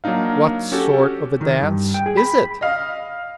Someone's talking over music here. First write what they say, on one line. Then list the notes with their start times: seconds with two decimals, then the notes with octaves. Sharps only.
'What sort of a dance is it?'
0.04 F#3 A#3 D4 D#4 F5
0.72 C#4 F#4 G4 A4
1.41 D#3
1.62 G2
1.94 G5
2.06 G#4
2.17 B5
2.61 D#5 F5